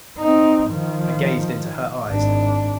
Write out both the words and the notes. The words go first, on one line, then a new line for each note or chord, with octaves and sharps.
I gazed into her eyes.
C4 D#4
D#3 F3
G#1 D4